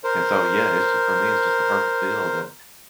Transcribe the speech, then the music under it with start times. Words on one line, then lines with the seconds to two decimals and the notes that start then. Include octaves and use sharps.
and so, yeah, it's just for me, it's just the perfect build. And,
0.04 A#4 C5